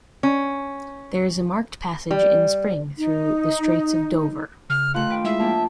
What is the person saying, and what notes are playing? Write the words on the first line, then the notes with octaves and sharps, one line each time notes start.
There is a marked passage in spring through the Straits of Dover.
C#4
G3
D#4
C#3 F6
D#3 A3 F4 A4 F#6
D4 B4 G5 B5
G#3 E4 G#4 E5
F3 A#3 D4 G5 A5